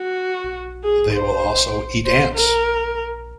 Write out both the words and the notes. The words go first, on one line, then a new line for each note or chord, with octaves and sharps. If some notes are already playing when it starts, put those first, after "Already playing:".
They will also eat ants.
Already playing: F#4
G#4
C5
C5
A#4